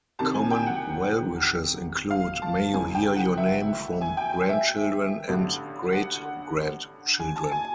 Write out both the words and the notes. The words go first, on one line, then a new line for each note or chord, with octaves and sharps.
Common well-wishes include May you hear your name from grandchildren and great-grandchildren!
C2 C3 D#3 A5
G#5
G5
F#5
F5
A5
C#2 C#3 E3 G#5
G5
F#5
E5
G#5
G5
G#5
E5
A1 G2 D3
F#5
G#5
A5
G#5